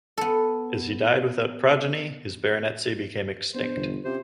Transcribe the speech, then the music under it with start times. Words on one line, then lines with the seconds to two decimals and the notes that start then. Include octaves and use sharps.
As he died without progeny his baronetcy became extinct.
0.18 B3 A4
3.55 B3 D4 G#4 C5
3.76 G1 E2 B2 D3
4.05 C3 C#4 F4 C5